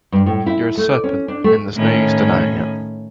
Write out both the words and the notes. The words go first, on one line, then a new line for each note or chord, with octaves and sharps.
You’re a serpent; and there’s no use denying it.
G2
A2
E4
A3
D5
C#4
D4
A3
A2 D#3 C#4